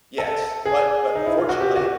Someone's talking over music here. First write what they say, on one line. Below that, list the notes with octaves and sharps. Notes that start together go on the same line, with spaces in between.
Yes, but but fortunately
A4
G#4
D#4
E4
F4
F#4
G4
F#4